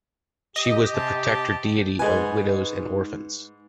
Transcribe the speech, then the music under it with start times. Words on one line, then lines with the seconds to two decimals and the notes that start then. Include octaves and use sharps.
She was the protector deity of widows and orphans.
0.56 G4 D#5
0.93 C3 C4 G#5 A5
1.28 C4 A5
1.99 G#2 G#3 D#4 B4 G#5